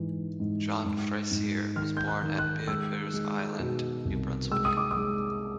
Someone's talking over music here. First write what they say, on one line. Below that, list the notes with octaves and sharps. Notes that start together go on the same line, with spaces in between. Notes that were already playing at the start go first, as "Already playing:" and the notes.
John Fraser was born at Beaubears Island, New Brunswick.
Already playing: G#2 E3
G#2
G#2
G#2
D#3 F6
G6
F#6
D#3
F#6
G#3 E6
G#3
B2
C2
G#3 E6
D#6
D6
D#6
G#3